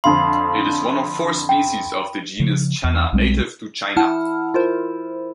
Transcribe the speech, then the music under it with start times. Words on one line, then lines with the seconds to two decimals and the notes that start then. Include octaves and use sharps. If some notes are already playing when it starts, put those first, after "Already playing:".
It is one of four species of the genus "Channa" native to China.
0.04 F2 D3 F5 B5 C6
1.49 G5
2.40 C#3 F3
2.84 E2
3.13 B1 G3 G#3 C4
3.97 E4 F#5 A5 F6
4.54 F4 A#4 C5